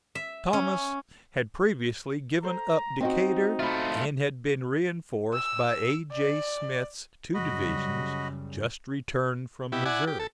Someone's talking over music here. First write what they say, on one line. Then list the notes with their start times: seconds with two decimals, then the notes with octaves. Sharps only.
Thomas had previously given up Decatur and had been reinforced by A. J. Smith's two divisions just returned from Missouri.
0.15 E5
0.53 C#4
2.43 A4 C5 A#5
3.01 C4 C#4 D#4 F#4 D#5 G5
3.59 A3 F4 E5 B5
5.33 E6
6.12 D5
7.34 F#2 C#3 G3 F#4 D#5 B5
9.72 B2 E4 G4
9.86 E4 D5 F#5 G#5
10.07 G4
10.20 A4